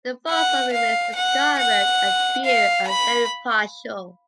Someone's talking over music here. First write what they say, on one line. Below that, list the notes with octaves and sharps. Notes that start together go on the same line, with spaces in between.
The fossil remains discovered are few and very partial.
F#5
F5
F#5
F#5
F5
B5